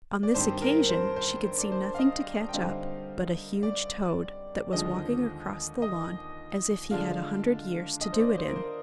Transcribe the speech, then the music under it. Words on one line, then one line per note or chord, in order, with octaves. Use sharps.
On this occasion she could see nothing to catch up but a huge toad, that was walking across the lawn as if he had a hundred years to do it in.
D5
G2 D#3 G3 C4 C5
A#4
C5
C5
C5
D5
C5
F5
D#5
G5
D3 G3 C4 D#4 F5
D5
D#2 D3 F3 G#3 D#5
D#5
D3 G#3 D4 F4
D#5
C5
D5
C5
A#4
C5